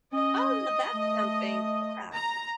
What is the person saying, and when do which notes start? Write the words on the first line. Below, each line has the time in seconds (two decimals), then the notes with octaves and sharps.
Oh, now, that's something. Yeah.
0.13 C#4 D#5
0.93 A3
2.14 A#5